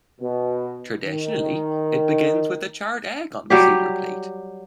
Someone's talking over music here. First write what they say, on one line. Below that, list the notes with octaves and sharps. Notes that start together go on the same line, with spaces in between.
Traditionally it begins with the charred egg on the Seder plate.
B2
D#3
F#3 G3 G4